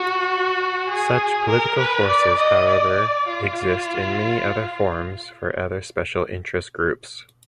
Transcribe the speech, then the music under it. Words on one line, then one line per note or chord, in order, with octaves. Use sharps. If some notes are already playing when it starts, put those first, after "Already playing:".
Such political forces, however, exist in many other forms for other special interest groups.
Already playing: F#4
G#4
A#4
B4
D5
D#5
D5
F4